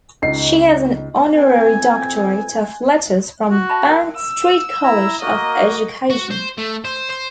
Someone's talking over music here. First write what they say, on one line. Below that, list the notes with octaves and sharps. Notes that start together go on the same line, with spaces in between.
She has an honorary Doctorate of Letters from Bank Street College of Education.
C#2 D#4 C7
F2 E3 C4 G#5
F#4
E5 A5 B5
A#4 G5
E6
E4 A#5
A#3 F#4 A#4 D#5
F#4
C5
A3
C5
C5